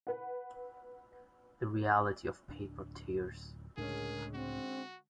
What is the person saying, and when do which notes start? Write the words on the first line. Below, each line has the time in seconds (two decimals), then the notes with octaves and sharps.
The reality of paper tears.
0.07 B4 F#5
2.48 D1 D4
3.77 C#2 A2 D3 G#3 C#4 G#4 A#4
4.34 C4 F#4